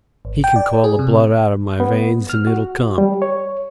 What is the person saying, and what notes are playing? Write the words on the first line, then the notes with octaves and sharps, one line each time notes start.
He can call the blood out of my veins and it'll come.
G#1
G5
D5
G#4
C3
B3
F6
F#4
G3
C#5